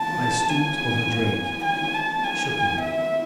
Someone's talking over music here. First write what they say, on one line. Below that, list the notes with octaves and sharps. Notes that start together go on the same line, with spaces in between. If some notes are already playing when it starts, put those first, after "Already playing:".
I stooped over Drake, shook him.
Already playing: A5
G#5
G#5
A5
G#5
E5